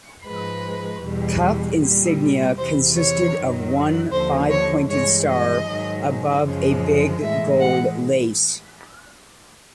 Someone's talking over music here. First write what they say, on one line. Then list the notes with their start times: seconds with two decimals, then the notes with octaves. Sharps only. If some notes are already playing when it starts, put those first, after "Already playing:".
Cuff insignia consisted of one five-pointed star above a big gold lace.
0.25 G#2 F3 G#3 B4
1.02 E2 B2 G3
1.80 A#2 G3
2.56 E2 C3 E3 C5
2.96 C#5
3.35 F#2 D#3 F#3
4.11 D#2 D3 F3 C5
4.50 C#5
4.88 G2 E3 G#3 C#5
5.28 D#5
5.67 G#2 D#3 F#3
6.43 F#2 C#3 F3 G#3
7.20 A2 E3 G#3 E5
7.59 F#5